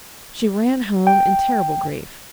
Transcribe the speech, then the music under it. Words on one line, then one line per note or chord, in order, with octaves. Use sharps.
She ran home in terrible grief.
G5